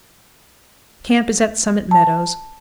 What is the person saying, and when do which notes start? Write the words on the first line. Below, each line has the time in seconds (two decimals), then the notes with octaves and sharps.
Camp is at Summit Meadows.
1.91 A5